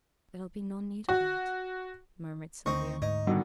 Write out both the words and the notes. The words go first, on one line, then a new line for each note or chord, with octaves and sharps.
'There'll be no need o' that,' murmured Sylvia.
F#4
D2 C4 D#4 C#6
G#2 D#4
B2 D3 D#3 G3